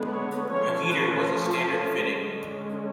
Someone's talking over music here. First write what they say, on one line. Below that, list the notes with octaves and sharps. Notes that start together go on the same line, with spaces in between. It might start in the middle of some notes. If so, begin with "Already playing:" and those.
A heater was a standard fitting.
Already playing: D3 G#3 B3
C#5
F3 A3 C#4 C#5
B4
A4
D3 G#3 C#4